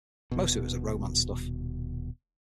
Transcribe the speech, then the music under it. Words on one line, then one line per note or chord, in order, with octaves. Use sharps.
Most of it was the romance stuff.
D#1 B2